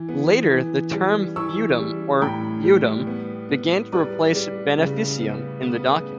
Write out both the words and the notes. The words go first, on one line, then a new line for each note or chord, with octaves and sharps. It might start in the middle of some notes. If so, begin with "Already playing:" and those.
Later, the term "feudum", or "feodum", began to replace "beneficium" in the documents.
Already playing: E3
B3
E3
G3
E3 C#6 E6
G3
A2 G5 B5
G3
B3
B3
G3 B4 D5
G3
C#3
B3
B3